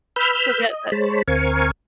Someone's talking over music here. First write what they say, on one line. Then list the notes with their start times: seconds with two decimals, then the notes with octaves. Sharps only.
so that that
0.16 B4 B5 E6 F6 G6
0.70 D#5
0.92 G#3 C5 C#5 A5 B5
1.28 D2 C4 A#4 F5 G#5 C#6